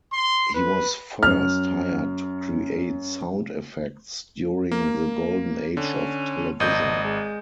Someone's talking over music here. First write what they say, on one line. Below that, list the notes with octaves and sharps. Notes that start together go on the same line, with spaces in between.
He was first hired to create sound effects during the Golden Age of Television.
C6
B4
F#2 F6
A#3
D3 C#4
G#1 D#5 G6
G#3